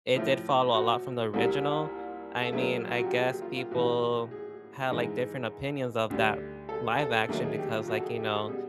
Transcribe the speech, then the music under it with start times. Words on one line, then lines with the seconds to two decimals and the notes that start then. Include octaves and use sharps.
it did follow a lot from the original. I mean, I guess people had, like, different opinions of that live action because, like, you know,
0.15 A2 F3 A3
0.74 F#4
1.34 C2 A#2 G3
2.42 A4
2.52 A#2 F#3 A3 G#4
2.90 F4
2.97 F#4
3.05 G4
3.12 G#4
3.27 G4
3.42 F4
3.57 F4
3.71 A2 E3 G3 F#4
4.31 G#4
4.91 G#2 E3 G#3
6.10 D2 D3 G3
6.69 A4
6.99 A4
7.29 D#2 D3 F#3 A3 G#4
7.44 G#4
7.58 G4
7.73 F4
7.88 F#4
7.97 A4
8.03 G#4
8.18 G4
8.33 A4
8.48 B2 G3 G#4